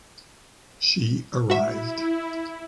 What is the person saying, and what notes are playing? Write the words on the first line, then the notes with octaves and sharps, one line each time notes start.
She arrived.
E4 F#4 E5